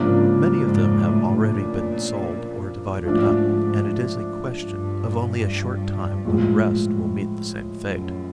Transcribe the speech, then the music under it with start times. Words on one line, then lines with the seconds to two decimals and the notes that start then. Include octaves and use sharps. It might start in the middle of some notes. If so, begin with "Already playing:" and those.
Many of them have already been sold or divided up, and it is a question Of only a short time when the rest will meet the same fate.
Already playing: G#2 C#3 F3 A#3 D4
0.64 G#2
1.04 A2
1.44 A#2
3.05 G#2 F3 A3 D4
4.65 G2
6.25 A2 F3 G#3
7.86 F#2